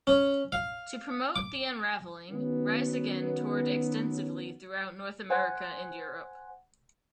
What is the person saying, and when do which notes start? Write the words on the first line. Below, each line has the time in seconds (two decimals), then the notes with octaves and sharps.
To promote "The Unraveling", Rise Against toured extensively throughout North America and Europe.
0.07 C#4
0.52 F5
1.36 D6
2.31 D#3 F#3 B3 C#4
5.30 C5 F#5 G#5